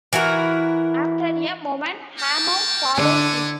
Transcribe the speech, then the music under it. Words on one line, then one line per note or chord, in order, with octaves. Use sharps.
After a moment Hammond followed him.
E3 E4 F#4 A#4
A#3 G5 A5
D3 E4 A4 C#5